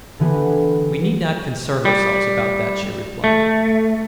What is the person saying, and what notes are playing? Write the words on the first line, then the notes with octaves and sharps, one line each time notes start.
"We need not concern ourselves about that," she replied.
D3 E3 B3 G4
G3
A3